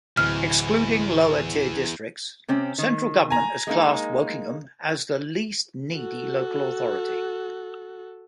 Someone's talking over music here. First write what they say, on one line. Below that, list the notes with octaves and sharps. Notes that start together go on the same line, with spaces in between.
Excluding lower-tier districts, Central Government has classified Wokingham as the least needy Local Authority.
D1 E2 F6
C3 C4 C#4
D#3
G#5 A#5
G#3 A#3 D#4
F#4 A4